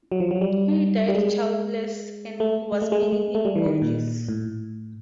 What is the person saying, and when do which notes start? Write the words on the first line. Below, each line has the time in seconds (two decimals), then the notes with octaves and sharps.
He died childless and was buried in Bourges.
0.12 F#3
0.20 F3
0.31 F#3
0.41 G3
1.08 G3
1.15 G#3
2.40 A3
2.72 G#3
2.82 A3
2.92 G#3
3.02 A3
3.12 G#3
3.35 A3
3.45 G3
3.55 E3
3.66 D#3
3.82 A#2
4.29 A2